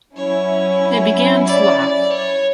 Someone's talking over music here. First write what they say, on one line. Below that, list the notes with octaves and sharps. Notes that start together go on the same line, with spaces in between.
They began to laugh.
F#3 C#4 E4 C#5
D5
D5
C#5